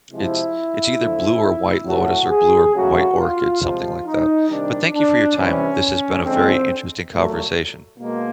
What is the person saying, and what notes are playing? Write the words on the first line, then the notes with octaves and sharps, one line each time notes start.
It's it's either blue or white lotus or blue or white orchid, something like that. But thank you for your time. This has been a very interesting conversation.
C3 F3 G#3 E4
D3 F3 A3
A2 F#3 A3 F#4
G#4
C#3 F#3 A3 F#4
F4
C3 F3 G#3 F4
D#4
C3 D#3 G3 D4
D4
C3 E3 G3 C#4
D3 F3 G#3 C4
A#2 F#3 A3
B2 G#3 A#3